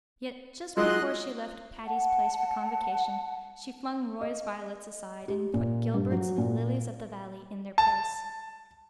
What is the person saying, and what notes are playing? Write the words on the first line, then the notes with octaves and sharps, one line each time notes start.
Yet just before she left Patty's Place for Convocation she flung Roy's violets aside and put Gilbert's lilies-of-the-valley in their place.
F#3 G#3 D#4 F4 D#5 C6 F#6
F#5 A5
D#5
G4
A#2
G2
F#3
A#2
A5